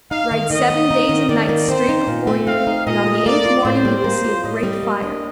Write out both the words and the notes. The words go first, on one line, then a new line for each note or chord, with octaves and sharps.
Ride seven days and nights straight before you, and on the eighth morning you will see a great fire.
D#4 F5
D#3
D#3 D#5
A#3
D#4
D#3
D#3 D5
A#3
C4 C5
D#4
A#2
A3
C4 F5
D#4
A#2 D#5
A3
A#3 D5
F4
A2 C5
G3
A#3
F4
A2 D#5
G3
A#3
D4